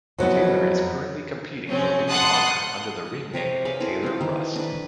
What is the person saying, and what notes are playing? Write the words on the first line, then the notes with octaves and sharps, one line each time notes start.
Taylor is currently competing for Ring of Honor under the ring name Taylor Rust.
F2 F#3 B3 E4
C3 F3 C4 C#4
F#5 A5 C6 D#6 F#6
C3 G4 C#5 D#5
G#4 B4 E5 F5
C4 E4 A4 D5
C4 F4
D#3 E3
D4 B4